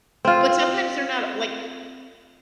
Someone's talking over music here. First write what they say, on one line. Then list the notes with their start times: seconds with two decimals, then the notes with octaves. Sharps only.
But sometimes they're not, uh, like
0.25 C4 F4